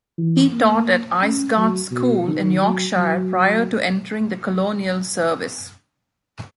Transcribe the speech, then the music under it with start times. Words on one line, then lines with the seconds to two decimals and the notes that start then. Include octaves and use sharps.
He taught at Aysgarth School in Yorkshire prior to entering the Colonial Service.
0.18 E3
0.53 A#3
1.22 C#4
1.57 F#3
1.91 B2
2.27 D#3
2.62 F#3
2.97 F#3